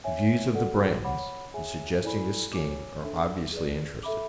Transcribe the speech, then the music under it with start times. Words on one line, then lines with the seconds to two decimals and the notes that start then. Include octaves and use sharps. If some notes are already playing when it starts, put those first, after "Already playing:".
The views of the Branghtons, in suggesting this scheme, are obviously interested.
0.04 C#5 E5 G#5
0.54 F#4 A4 D5 F#5
1.04 C#5 F#5 B5 D6
1.54 G#4 C#5 E5 G#5
2.04 E4 A4 D5 G#5 B5
2.53 C#5 G#5 D6
3.03 D4 A4 E5
3.53 G#4 B4 D5
4.03 A4 E5 B5 D6